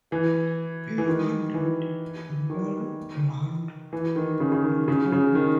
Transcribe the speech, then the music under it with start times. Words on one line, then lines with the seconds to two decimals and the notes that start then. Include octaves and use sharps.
He founded the Mel Blount Youth Home.
0.12 E3
0.98 E3
1.07 D#3
1.54 E3
2.50 D#3
3.93 E3
4.16 D#3
4.40 C#3
4.52 C#3
4.64 D#3
4.88 C#3
5.12 C#3
5.35 D#3